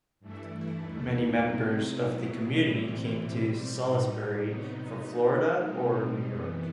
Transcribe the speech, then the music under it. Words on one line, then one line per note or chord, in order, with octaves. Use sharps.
Many members of the community came to Salisbury from Florida or New York.
G2 E3 A3 E4
D#2 D#3 A3 E4
C3 F#3 C4 D#4
B2 F#3 B3 E4
A2 E3 G3 C4 E4
B2 G3 C4
A2 G3 D#4
C3 F#3 B3 D#4
D#3 A3 D#4
B2 G3 C4 D#4
F#2 E3 B3